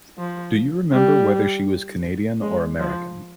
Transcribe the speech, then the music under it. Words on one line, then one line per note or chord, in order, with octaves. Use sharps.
Do you remember whether she was Canadian or American?
F3
G3
G#3
F3